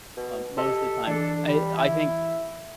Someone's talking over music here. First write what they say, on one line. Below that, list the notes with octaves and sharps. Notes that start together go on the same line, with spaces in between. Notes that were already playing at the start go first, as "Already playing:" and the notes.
uh, most of the time. Eh, I think
B2
G4 A4 D#5
E3 D4 A4
G3
E4